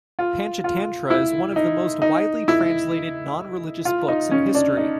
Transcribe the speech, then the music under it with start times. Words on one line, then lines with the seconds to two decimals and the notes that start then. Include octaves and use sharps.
Panchatantra is one of the most widely translated non-religious books in history.
0.19 F4
0.64 F4
1.10 E4
1.56 D#4
2.02 D#4
2.48 E4
3.85 F4
4.08 D#4
4.31 C#4
4.55 D4
4.77 D#4